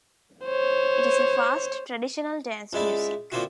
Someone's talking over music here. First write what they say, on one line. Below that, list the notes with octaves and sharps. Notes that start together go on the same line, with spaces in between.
It is a fast, traditional dance music.
C5 C#5
C#2 G#3 E4 D5 B5
D3 F3 A#3 C4 E4 F#4